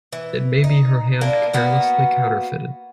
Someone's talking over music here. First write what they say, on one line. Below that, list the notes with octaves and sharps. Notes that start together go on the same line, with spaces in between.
It may be her hand carelessly counterfeited.
E3
D#4
A#3 D4 E4
A#3 B3 F#4